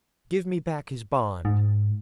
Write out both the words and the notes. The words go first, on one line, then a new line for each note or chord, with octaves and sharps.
Give me back his bond.'
G#2